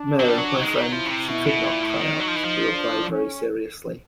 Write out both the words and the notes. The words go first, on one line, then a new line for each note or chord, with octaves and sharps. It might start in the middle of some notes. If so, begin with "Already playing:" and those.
"No, my friend, she could not cry out," he replied very seriously.
Already playing: D4
F#3
G3
F#3
D#4
G#3
G3
F#3
F3 E4
C#3
C3
B2 E4
B2
A#2
A2
D#3 D#4
F#3
F3
E3
F3
D4
C#4